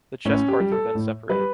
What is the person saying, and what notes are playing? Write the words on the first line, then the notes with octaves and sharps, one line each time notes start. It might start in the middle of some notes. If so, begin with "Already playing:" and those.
The chess parts were then separated.
A2 C#4
G4
G3
A4
A2
G3 B4